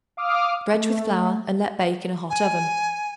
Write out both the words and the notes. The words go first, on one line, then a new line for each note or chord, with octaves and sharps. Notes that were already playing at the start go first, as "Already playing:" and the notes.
Dredge with flour and let bake in a hot oven.
F5 D6 D#6 F6
A3
G#5